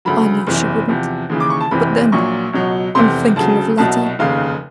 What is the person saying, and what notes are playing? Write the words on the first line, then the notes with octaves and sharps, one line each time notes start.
"I know she wouldn't; but, then, I'm thinking of Letty."
D2 C#3 F#3 B5
F#1 E2 C3 E3
E2 C3 F3
D#2 C#3 E3
D6
C#6
A5
F#1 E2 C3 E3 B5
A#1 A#2 F#3 C#6
C#2 B2 F#3
F1 E2 C3 C6
D2 C#3 F#3 A5
C2 B2 F#3 A5
F1 D#2 C#3 F5